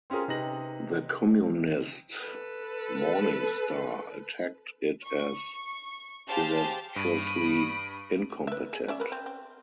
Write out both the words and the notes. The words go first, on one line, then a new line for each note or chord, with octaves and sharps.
The Communist "Morning Star" attacked it as "disastrously incompetent".
C4 C#4 F4 G#4 A#4
C3 D#4 B4 D#5 A#6 F#7
A4 B4
C#6
G4 G#4 C5 F5 A5
G2 B5 D#6 D7
B4 E5
G#4
C#4 D5 E5
A#4 B4
C4
C4